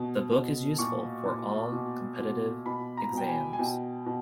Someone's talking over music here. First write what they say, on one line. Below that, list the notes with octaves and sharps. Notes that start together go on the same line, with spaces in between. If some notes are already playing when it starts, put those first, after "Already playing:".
The book is useful for all competitive exams.
Already playing: B2
B2
A#2 C#6
A#2
B2
B2
B2 B5
A#5
B2 G5
G#5
G#5
B2 G5
B2